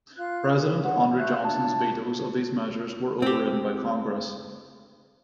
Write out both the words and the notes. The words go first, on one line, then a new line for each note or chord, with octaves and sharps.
President Andrew Johnson's vetoes of these measures were overridden by Congress.
F4 F#6
B4
C#5 F#5
F#4 C5 E5 F#6
D4 F4 C#5 A5
C#5
C4 G4